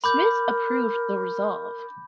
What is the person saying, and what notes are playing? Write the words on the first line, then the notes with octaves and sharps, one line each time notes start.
Smith approved the resolve.
A#4 B5 D6 G6